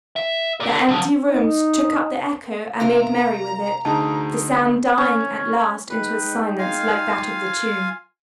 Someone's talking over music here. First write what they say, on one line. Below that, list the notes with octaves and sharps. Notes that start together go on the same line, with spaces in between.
The empty rooms took up the echo and made merry with it, the sound dying at last into a silence like that of the tomb.
E5
A#4 D5
F3 F#3
D#4
C3 F4 A#4 A#5
D2 D#4 G#4 A5
C#4
G#3 D#4 B4 G5
F4 F5 G#5